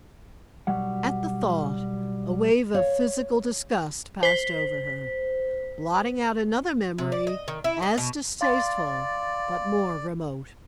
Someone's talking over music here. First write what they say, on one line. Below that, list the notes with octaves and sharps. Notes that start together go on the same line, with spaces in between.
At the thought a wave of physical disgust passed over her, blotting out another memory as distasteful but more remote.
B1 F#3 G3 F#5
C#5 F5
C5 B6
C3
D5
D#5
D#3
E4
D#5
B2
D5 F5 C6 A6